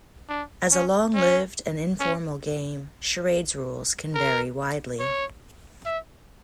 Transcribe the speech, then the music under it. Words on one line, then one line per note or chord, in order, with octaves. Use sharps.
As a long-lived and informal game, charades' rules can vary widely.
D4
C#4
C#4
C#4
A#4
C#5
E5